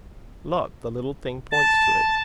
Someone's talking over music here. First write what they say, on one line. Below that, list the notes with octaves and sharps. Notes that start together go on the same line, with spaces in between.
"Look, the little thing points to it."
A5